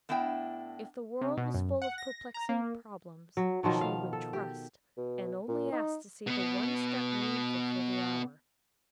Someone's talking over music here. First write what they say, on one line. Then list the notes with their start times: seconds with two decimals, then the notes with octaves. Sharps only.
If the world was full of perplexing problems she would trust, and only ask to see the one step needful for the hour.
0.09 A2 B3 D4 E4 G5
1.21 C3
1.37 B2
1.54 F#2
1.82 F#5
1.98 A#6
2.34 A#5
2.49 A#3
3.37 F#3
3.63 B2 D#3 F3 F#3
3.81 F5
4.13 A4
4.33 G4
4.97 B2
5.48 A#2
5.72 D#4
6.27 B2 B3